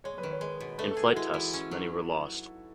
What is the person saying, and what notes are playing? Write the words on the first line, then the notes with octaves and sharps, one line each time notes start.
In flight tests many were lost.
G#3 C#5
B4
D#3
C#5
G#3
B2
A3 B4
A4
G#4
F#4
G#3 E4
E3
C#4
F#3